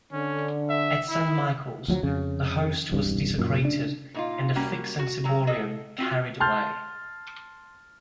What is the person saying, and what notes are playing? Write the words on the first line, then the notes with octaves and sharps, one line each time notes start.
At Saint Michael's, the Host was desecrated, and the pyx and ciborium carried away.
D3 C#4
E5
E4
D2 F3 F#3
F2 C#3
E1 C2 G2
F#2 A#2
C#3 D4
A#2 D#4 F4
G3 A#3 C#4 F#4
F#4
F#3 G3 A#5
G#4 A4 D#5
C4 F4 F#4
A5 C6 F6 G6 A6